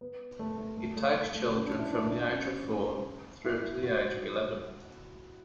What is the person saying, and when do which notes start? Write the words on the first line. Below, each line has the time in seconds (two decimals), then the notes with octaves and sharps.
It takes children from the age of four through to the age of eleven.
0.01 B3
0.39 A3
0.58 A3
0.78 A3
0.97 A3
1.15 A3
1.35 A3
1.54 C#4
1.66 D4
1.79 E4
1.93 D4
2.11 D4
2.30 C#4
3.45 E4
3.83 F#4